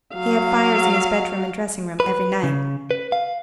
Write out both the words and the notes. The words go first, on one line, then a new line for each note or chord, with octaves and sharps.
He had fires in his bedroom and dressing-room every night.
F#3 F5
B4
C#3
B4
F5